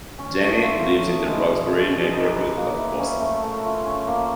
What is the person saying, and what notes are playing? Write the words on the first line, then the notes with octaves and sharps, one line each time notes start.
Janey lives in the Roxbury neighborhood of Boston.
C#4
A3
F4
F#3
B3
G#3
B2
B2
G#4
D#4
B4
A#3
E4
C#4
A3
A3
F4
C#4
A#3